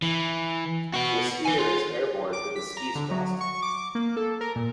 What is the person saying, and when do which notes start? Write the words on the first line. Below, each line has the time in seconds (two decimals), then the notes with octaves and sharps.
A skier is airborne with his skis crossed.
0.02 E3
0.94 B3 F#4
1.45 B4 G#5
1.59 F4
2.33 D6
2.56 B6
2.77 A#5
2.95 D3
3.11 F#3
3.41 C#6
3.62 D6
3.95 A#3
4.17 A4
4.41 A#4
4.56 A#2